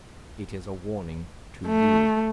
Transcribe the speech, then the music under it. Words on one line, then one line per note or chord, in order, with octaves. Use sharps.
It is a warning to you.
A3